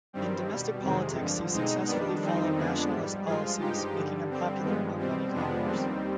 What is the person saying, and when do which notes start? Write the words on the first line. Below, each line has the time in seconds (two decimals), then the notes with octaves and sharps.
In domestic politics he successfully followed nationalist policies, making him popular among many commoners.
0.13 G2 D#3 G3 C4
0.48 B2 G3
0.83 F2 C3 D#3 G#3 C4
1.17 G2 D3 F3
1.52 B2 G#3 C4 D#4
1.86 F2 D#3 G3 B3 D4
2.22 F2 D#3 G3 C4 D#4
2.56 F2 D3 F3 G#3 B3 D4
2.91 G#2 G3
3.25 G2 F3 G#3 F4 G#4
3.60 G2 F3 G#3 D#4 G4
3.95 G2 D3 G3
4.29 G2 D3 G3 C4
4.63 G2 F3 G#3 B3
4.98 B2 G3 C4
5.33 F2 C3 F3 G#3 B3 D4
5.67 D#2 D#3 G3 C4